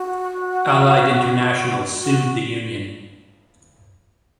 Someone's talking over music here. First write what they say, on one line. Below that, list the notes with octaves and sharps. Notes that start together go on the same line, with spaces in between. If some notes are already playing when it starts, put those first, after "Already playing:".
Allied International sued the union.
Already playing: F#4
F#4